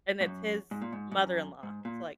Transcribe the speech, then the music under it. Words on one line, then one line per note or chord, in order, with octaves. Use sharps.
and it's his mother-in-law, so, like
G#2
F#2
G#2
A#2
G#2
G#2
F#2
G#2
A#2